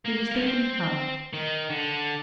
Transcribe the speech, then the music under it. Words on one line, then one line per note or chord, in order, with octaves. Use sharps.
He was thinking hard.
A#3
G3 A#4
C4
D#3
D3